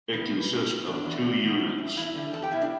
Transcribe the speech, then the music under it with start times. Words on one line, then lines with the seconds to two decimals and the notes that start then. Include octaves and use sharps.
It consist of two units.
0.13 E2 B3 B4
0.32 B2 B3
0.50 B2
0.68 B3
0.86 A2 D4 D5
1.05 E3 B3
1.23 A2
1.42 E3 B3
1.60 A2
1.78 A3
1.97 E2 E4 E5
2.15 D3 G3
2.33 E2 A4 A5
2.42 G4 G5
2.51 B2 E4 E5
2.56 B3
2.61 D4 D5